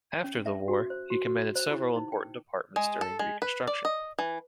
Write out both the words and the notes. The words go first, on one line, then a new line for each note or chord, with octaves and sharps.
After the war, he commanded several important departments during Reconstruction.
C#4
E5
F#4
C5
F#4
F#4
C5
E4
D#4
G5
G#3
A4
G#3
B4
D5
D#5
E3